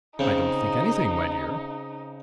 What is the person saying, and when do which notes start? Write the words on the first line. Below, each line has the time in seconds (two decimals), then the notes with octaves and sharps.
"I don't think anything, my dear."
0.19 C#3 C4 D#4